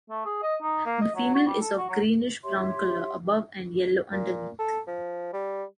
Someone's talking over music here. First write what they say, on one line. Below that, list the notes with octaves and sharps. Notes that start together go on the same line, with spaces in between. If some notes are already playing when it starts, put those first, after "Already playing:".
The female is of greenish brown color above and yellow underneath.
A3
G#4
D#5
D#4
A#3
D#5
F#3
F#4
G3
A4
F#4
F#3
G4 C#5 E5 C6
A#2
A4
F3
G3